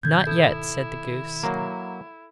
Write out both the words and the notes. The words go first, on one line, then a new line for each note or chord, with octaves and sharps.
'Not yet,' said the goose.
G#2 B2 D#3 G6 G#6
E4 A4
F#3 A#3